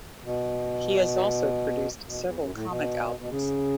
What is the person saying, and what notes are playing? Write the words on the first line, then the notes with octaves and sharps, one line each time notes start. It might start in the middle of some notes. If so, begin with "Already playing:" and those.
He has also produced several comic albums.
B2
B2
E2
F#2
A2
B2
B2
C#3